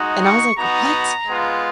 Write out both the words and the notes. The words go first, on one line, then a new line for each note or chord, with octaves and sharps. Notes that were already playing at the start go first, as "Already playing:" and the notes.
and I was, like, "What?"
Already playing: G#3 D#4 F#4
C#6
B3 D#4 F#4 A#5
G#3 B3 F4